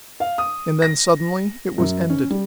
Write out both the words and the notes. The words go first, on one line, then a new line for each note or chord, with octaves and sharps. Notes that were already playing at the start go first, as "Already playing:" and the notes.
And then suddenly it was ended.
F5
D#6
A#6
F#2
C#4
G3